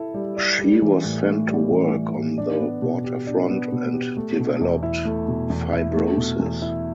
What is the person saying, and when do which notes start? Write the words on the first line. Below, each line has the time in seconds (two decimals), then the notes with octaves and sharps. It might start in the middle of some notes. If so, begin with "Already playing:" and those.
She was sent to work on the waterfront and developed fibrosis.
Already playing: E4 A4
0.14 G3
0.36 D5
0.59 G3
0.82 E3
1.04 A2
1.26 A2
1.48 G3
1.71 E3
1.92 A2
2.15 A2
2.38 D4
2.61 B3
2.82 B2
3.04 G4
3.27 D4
3.50 B3
3.72 B2
3.94 G4
4.17 A3
4.39 B2
4.61 E2
4.83 E4
5.05 A3
5.28 B2
5.50 E2
5.72 E4
5.95 A3
6.17 B2
6.39 E2
6.62 E4